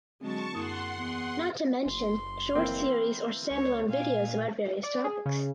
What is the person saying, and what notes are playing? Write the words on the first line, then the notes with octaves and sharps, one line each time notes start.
Not to mention short series or standalone videos about various topics.
D3 F#3 G#3 C4 A5 C#6
F#2 A#3 E4 G#4 F#5 C6 D#6
E2 B3 G#4
F#1 C6
E3 A#3 C4
C#2 C#5
A#2 F5 G#5
D5
G#4
C#3